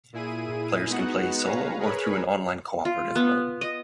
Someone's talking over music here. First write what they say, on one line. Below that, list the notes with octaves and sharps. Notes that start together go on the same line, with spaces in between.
Players can play solo or through an online cooperative mode.
A#2 E4 G#4 D#7
G#3 B3 D#4 F#4 F#5
B4 C#5 F5 A#5
G#4 A#4 B4 C#5 B5
F4
B3
D#5